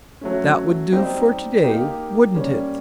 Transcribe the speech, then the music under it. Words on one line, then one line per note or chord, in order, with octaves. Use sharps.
That would do for to-day, wouldn't it?
F#3 A3 C#4
G3 C4 D#4 G4 C5
A#3 D#4 G4
G3 A#3 C#4